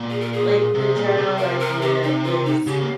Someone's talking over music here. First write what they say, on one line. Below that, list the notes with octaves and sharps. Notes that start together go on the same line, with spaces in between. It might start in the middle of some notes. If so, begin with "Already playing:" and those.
like, the general idea is
Already playing: A#2
G#4
A#4
G#4
C3
A#2
C3
A#4
A#4
G4
D#4
F4
D#4
C#3 G4
A#3